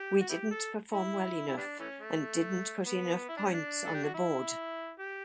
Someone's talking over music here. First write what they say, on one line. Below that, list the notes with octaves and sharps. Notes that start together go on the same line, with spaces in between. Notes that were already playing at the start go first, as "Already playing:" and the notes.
We didn’t perform well enough and didn’t put enough points on the board.
Already playing: G4
F#4
B3 E4 G4
A4
E4
E4
G3 B3 D4
E3 A3 C#4
A3
B3
E4
D4
C#4
D4
A4
G4
F#4
E4
G4